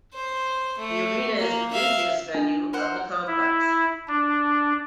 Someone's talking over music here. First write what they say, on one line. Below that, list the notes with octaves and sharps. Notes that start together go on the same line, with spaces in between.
The arena is the busiest venue of the complex.
C5
A3
A#3
E5 F5
D4
A#4 C5 F#5
E4
D4